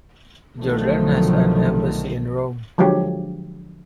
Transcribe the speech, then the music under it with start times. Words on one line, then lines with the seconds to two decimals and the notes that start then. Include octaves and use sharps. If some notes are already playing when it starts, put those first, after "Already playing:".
Jordan has an embassy in Rome.
0.60 B1 D3 D#3 F3 F#3 A3
2.78 D3 F3 F#3 G#3 G4 C#5